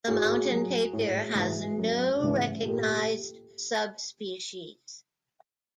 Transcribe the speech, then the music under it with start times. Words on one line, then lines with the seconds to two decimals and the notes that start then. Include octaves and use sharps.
The mountain tapir has no recognised subspecies.
0.08 A2 F#4 G#4
0.50 F#3
0.93 A2
1.35 E3
1.78 F#2
2.20 C#3 E3
2.63 A#2 G4 A4